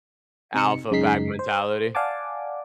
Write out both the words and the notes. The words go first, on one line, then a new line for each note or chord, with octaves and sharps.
Alpha pack mentality.
C3 D#4 C#7
F#2 C#3 G#3 D#4 B6 C7
C5
D5 F5 F#5 G#5 A5 D6